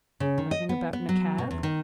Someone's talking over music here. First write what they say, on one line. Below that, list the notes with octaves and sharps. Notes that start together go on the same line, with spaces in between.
Driving about in a cab?
C#3
D#3
D#5
B3
B3
F#3
B2
E2
D#3